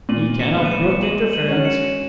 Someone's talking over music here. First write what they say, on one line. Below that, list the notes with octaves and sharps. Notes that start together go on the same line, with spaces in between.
He cannot brook interference.
A#2 D#7 F#7
D#7
C#7 E7
G#3 B3
D#7
C#7 E7
G#3 D#7 F#7
D#7 F#7
C#4 F#4
C#7 E7